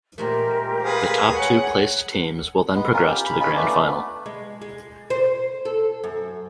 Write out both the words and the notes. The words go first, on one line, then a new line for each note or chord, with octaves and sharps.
The top two placed teams will then progress to the Grand Final.
A#2 G#3 A3 G4 A#4 C5
G#4 B4 F5
C#5 F#5
G#3 B3
C#4 F4 A#4
G4
B5
C#4 D#4 F4 B5
A3 B3 D4
G#3
G#3
C5
A4
F#2